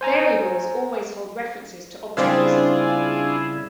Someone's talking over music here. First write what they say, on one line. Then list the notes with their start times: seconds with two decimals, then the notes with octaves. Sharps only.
Variables always hold references to objects.
0.01 C5 G#5 A#5
2.17 C#3 G3 C4 D4 E4 F4 G#4 F5